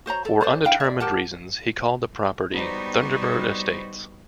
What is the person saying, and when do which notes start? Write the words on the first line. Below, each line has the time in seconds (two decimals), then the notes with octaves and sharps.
For undetermined reasons he called the property "Thunderbird Estates".
0.06 F#4 C5 C#5 A#5
0.25 A4
0.41 A4 B4 C5 D5
0.64 D4 E4 F5 G5
0.80 D5 E5
1.00 G4 A#4 F#5 A5
2.54 G3 B3 D#4 F#4 C5